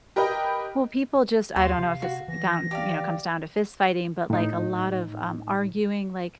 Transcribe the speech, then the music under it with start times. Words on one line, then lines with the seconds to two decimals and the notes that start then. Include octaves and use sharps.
Well, people just I don't know if it's down, you know, comes down to fist fighting, but, like, a lot of, um, arguing, like,
0.16 G4 A#4 B4 D#5 G5
1.56 D#2 F5 C6
1.78 C3
2.02 F#4
2.28 E3 A#6
2.71 G4 D5 F5
4.30 A2 D#4